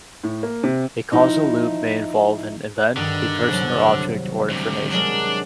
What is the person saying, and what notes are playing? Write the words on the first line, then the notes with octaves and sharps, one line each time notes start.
A causal loop may involve an event, a person or object, or information.
A2
A#3
C3
F3 D#4 E4
G2 D3 D#3
C2 F#3
D2 C3
F#3 G#3 D4 A#4